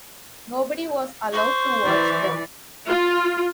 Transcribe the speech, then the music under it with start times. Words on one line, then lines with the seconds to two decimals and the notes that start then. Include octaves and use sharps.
Nobody was allowed to watch them.
1.33 C5 C#6
1.85 E3 D5
2.87 F4